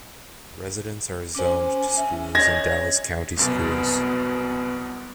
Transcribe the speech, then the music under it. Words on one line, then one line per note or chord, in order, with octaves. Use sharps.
Residents are zoned to schools in Dallas County Schools.
C#4 C5 D6
E5
C#5 D#5 G#6 A#6
C2 F#2 B2 B3